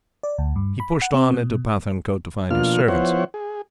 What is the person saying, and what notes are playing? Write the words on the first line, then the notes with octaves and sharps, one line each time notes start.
He pushed on into Pathankote to find his servants.
D5
D2
G2
B5
F#5
C4
B2
B2 F3 A#3 D4 F4 F6
F3 B3 E4 C5 C#5 F#5
G#4